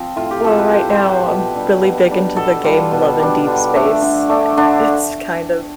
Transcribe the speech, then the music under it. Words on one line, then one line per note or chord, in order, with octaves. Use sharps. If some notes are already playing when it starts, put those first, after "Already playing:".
Well, right now I'm really big into the game Love and Deepspace. I It's kind of
Already playing: F3 C4
A2 F4
G4
F3 C4 A4
B4
A2 C5
C5
F3 C4
B4
B2
G3 D4
B2
G3 D4
B2 A4
G3 D4 F4
B2
G3 D4
D3
A3 D4
D3
A3 D4
D3 D4